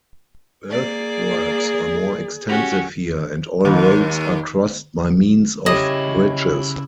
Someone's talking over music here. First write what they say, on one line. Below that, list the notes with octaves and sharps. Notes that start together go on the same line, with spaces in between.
Earthworks are more extensive here, and all roads are crossed by means of bridges.
A#3 G#4 D5
C#4 F#4 G4
D#2
C#3 E4 G4 C#5 D#5